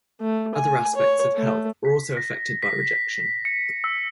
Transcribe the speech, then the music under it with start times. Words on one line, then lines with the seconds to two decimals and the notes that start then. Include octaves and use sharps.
Other aspects of health are also affected by rejection.
0.21 A3
0.55 G#5
0.95 C#5
1.35 A3
1.85 B6
2.17 A#6
2.63 B6
3.45 C#7
3.84 E6